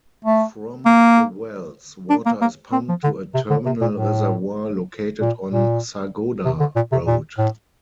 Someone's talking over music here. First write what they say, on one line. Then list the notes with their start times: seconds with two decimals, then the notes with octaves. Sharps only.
From the wells, water is pumped to a terminal reservoir located on Sargodha Road.
0.25 A3
0.86 A#3
2.10 D4
2.26 A#3
2.41 A#3
2.72 C4
2.89 F3
3.03 D3
3.34 C3
3.50 D3
3.66 C3
3.81 A#2
3.97 A2
5.21 A#2
5.51 A#2
6.45 C3
6.60 D3
6.76 A#2
6.92 C3
7.06 A#2
7.38 A2